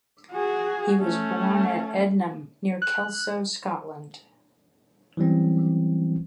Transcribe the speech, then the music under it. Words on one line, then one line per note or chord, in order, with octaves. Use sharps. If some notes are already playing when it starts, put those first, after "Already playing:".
He was born at Ednam, near Kelso, Scotland.
F#4 G#4
A3 C#4
F#6
E3 F#3 G3 C4 C#4